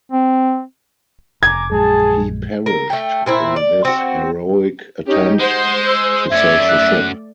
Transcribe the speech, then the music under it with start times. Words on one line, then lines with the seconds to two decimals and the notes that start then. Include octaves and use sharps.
He perished in this heroic attempt to save the ship.
0.12 C4
1.43 F1 G#5 A#5 D6 G#6
1.71 A#1 F#2 G#3 G#4 A5
2.66 A#4
2.90 A3 G5
3.26 A#2 C4 E4
3.56 D5
3.85 C4 F#4
5.06 C#4 D#4 G4
5.40 G#3 C5 F#5 C6
5.87 E6
6.31 F#2 A3 C#4 D5 E5 G#6
6.68 F#6